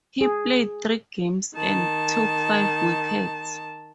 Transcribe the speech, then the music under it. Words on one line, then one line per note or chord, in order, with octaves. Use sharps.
He played three games, and took five wickets.
G#4
D#3 A5